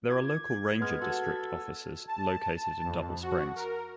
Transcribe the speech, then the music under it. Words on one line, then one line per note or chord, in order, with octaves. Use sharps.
There are local ranger district offices located in Double Springs.
F4 D6 G#6
G#3 B3 B4 F6
F#4 A4
A5
F2
F#4
A#4